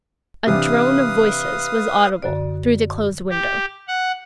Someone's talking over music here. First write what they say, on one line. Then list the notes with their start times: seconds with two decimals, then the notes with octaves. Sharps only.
A drone of voices was audible through the closed window.
0.47 C3 E3 D4 B4 F5 D#6
2.22 F#2 D3 D5
3.30 G4
3.88 F#5